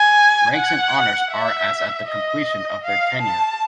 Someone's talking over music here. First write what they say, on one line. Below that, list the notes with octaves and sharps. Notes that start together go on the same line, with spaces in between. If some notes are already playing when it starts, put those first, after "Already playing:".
Ranks and honours are as at the completion of their tenure.
Already playing: G#5
F#5
E5
D#5
F5
A5